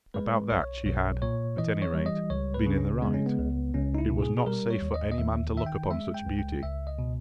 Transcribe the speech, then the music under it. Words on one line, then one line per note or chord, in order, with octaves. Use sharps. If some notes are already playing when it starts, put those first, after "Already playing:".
About that she had, at any rate, been in the right--it was not safe for any man to look upon such beauty.
G#3 B4
B1 C#5
B1 C#5
A#2 C#5
E3 D#5
C#5
G3
D#5
C#2 C#5
B4
C#3
C#4
G#3 B3
C#4
B3
C#2
C#2 C#4
D#4
E4
B2
G#4
G#4
G3 A#4
C#5
D#2
D#5
D#5
D#2 E5
D#3 E5
G5
G#3 E5
G5
C#2
G5
C#2 E5
D#5
B2